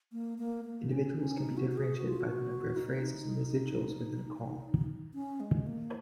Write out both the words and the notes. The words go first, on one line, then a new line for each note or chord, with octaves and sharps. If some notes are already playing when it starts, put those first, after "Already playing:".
Individuals can be differentiated by the number of phrases and residuals within a call.
A#3
A#3
A#3
C#4
C#4
D#4
F#4
F#4
G#4
F#4
F4
F#4
D#4
C#4
G#3
A#3